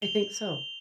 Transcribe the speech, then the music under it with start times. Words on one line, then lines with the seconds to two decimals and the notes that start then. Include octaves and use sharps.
I think so.
0.02 F7 G7